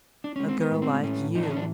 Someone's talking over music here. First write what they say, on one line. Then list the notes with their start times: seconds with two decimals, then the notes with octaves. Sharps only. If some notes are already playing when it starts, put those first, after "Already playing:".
A girl like you.
0.24 D4
0.36 G#3 C#4
0.49 C4
0.60 B3
0.71 A2
0.82 C4
1.03 A2 C#4
1.35 E3 D#4
1.43 D4
1.50 C#4
1.56 D4